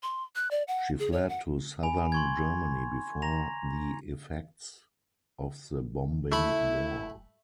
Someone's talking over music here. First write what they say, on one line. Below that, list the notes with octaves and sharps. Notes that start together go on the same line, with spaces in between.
She fled to southern Germany before the effects of the bombing war.
C6
F#6
D5
F#5
G#4
C#5
F#5
G#5 B5 F7
C6 C#6 G#6
A#5 A#6 F7
A3 E4 B5